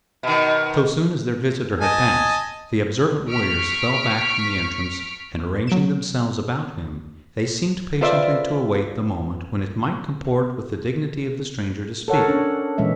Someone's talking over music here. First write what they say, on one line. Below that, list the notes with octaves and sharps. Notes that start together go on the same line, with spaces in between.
So soon as their visitor had passed, the observant warriors fell back from the entrance, and arranging themselves about him, they seemed patiently to await the moment when it might comport with the dignity of the stranger to speak.
B2 D#3
D#5 G#5 A5
C#6 F6 B6 D7
F#3 D7 E7
F4 A4 B4 C5 D5 E5
A4 A#4 C#5 F#5
C#4 D4 C#5
A#2 E3 G#3 C#4 E5